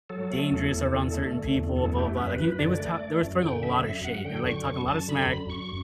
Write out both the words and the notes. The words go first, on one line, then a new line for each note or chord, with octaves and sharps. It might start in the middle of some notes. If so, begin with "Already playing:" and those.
dangerous around certain people, blah blah blah. Like, you they was ta they was throwing a lotta shade. They're, like, talking a lotta smack
F#3 A4
A3
E2
E2
D3
A3
D3
E2
F#2 A4
A3 G4
F#2 B4
F#2 B4
D3 D5
A3
A3
F#2
D3 G5
F#2 E5
F#2 E5
F#2 F#5
D3 G5
F#2 C#6
F#2 C#6
F#2 A5
D3 B5
F#2
F#2 C#6